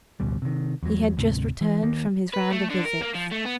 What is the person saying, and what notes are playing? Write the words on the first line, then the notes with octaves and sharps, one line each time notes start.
He had just returned from his round of visits.
A1 D2 B2 G3
C3 D#3
E2 F#3
D2 G#2 C3
E3
D#3 A#3
B4
A3
D3
A#4
A#3
F3
A3
B3